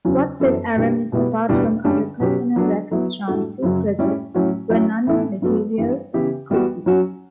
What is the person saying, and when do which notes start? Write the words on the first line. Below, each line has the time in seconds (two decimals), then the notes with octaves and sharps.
What set Aramis apart from other personal rapid transit projects were non-material couplings.
0.05 E2 C#3 F#3 C#4
0.40 F#2 E3 B3 F#4 A4
0.76 B2 G3 D4 G4
1.12 B2 G3 B3 E4
1.49 E2 B2 G3 D4
1.84 G2 D3 G3 C#4
2.20 B2 F#3 C#4 G4
2.56 F#3 B3 D4 F#4
2.91 F#3 B3 E4
3.28 A2 G3 D4 F#4 A4
3.62 F#2 C#3 F#3
3.99 A2 G3 C#4 E4
4.34 A2 F#3 C#4 F#4
4.70 F#3 C#4 E4
5.07 A2 E3 B3 E4 A4
5.42 G2 F#3 B3 F#4 A4
5.78 G2 E3 G3
6.13 C#3 E3 B3 E4 G4
6.50 E3 G3 B3 F#4
6.86 F#3 C#4 F#4